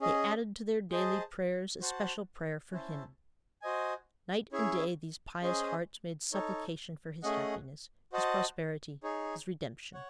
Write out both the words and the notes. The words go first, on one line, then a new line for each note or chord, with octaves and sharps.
They added to their daily prayers a special prayer for him; night and day these pious hearts made supplication for his happiness, his prosperity, his redemption.
C#4 G#4 D#5
G#4 C5 D#5 A5
F#4 C5 F#5 A5
C#4 E4 C5 E5 A5
F#4 C5 D#5 G#5
C#4 E4 G#4 C#5 E5
C#4 G#4 C5 D#5
D#4 A4 C#5
A3 C#4 G#4 D#5 F#5
F#4 C5 D#5 F#5 A5
D#4 G#4 C#5
C#5 F#5